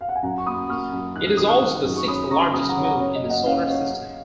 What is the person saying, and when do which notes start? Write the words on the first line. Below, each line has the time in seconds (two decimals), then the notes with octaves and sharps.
It is also the sixth-largest moon in the Solar System.
0.01 F5
0.09 F#5
0.16 G#5
0.23 F#2 F#5 A#5
0.38 C#6
0.46 A#3 B5 D#6
0.69 A#3 C#6 F6
0.93 F#2
1.15 D#3 F#6
1.26 F6
1.37 D#3 D#6
1.48 C#6 F6
1.61 D#3
1.84 F#2
1.96 C#6
2.07 C#4 B5 D#6
2.30 C#3 A#5 C#6
2.43 F6
2.53 C#3 B5 D#6
2.69 F#5 A#5
2.77 C#4
2.84 F#5 A#5
2.99 F#2 C#5
3.15 D#5
3.23 A#3
3.30 D#5 F#5
3.46 C#4 C#5 F5
3.69 C#4
3.91 C#4